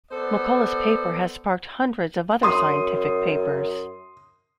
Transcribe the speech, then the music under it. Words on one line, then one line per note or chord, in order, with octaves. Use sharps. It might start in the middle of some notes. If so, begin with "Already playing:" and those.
McCollough's paper has sparked hundreds of other scientific papers.
B3 A4 C5 D5
F#2 C6 D#6